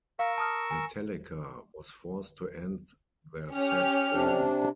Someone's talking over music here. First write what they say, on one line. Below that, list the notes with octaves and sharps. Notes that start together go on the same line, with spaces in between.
Metallica was forced to end their set early.
A#4 F5 C#6 E6
A5 D#6 F6
G#5
C#4 G4 F6
C3 D4